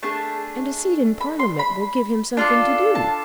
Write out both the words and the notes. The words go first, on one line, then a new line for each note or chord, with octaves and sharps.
"And a seat in Parliament will give him something to do."
A3 D4 G#4 A5
B5
C6
B5
D4 F4 A4
A5